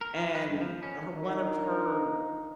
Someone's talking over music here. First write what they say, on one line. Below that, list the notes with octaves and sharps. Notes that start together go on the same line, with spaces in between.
and her one of her
A#4
F3
B4
G2
F3
C#4
D4 D#4 F4 A#4